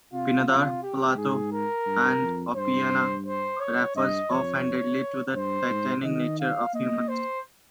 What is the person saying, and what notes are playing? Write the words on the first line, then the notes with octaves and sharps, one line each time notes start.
Pindar, Plato, and Oppian refer offhandedly to the "Titanic nature" of humans.
C3 F4
F4
G4
G#2 G#4
A#4
G2
F2
G2 C5
C5
C#5
G2 D#5
F2 C#5
G2 C5
G#2
D#3 D#5
F5
A#3 D#5
C5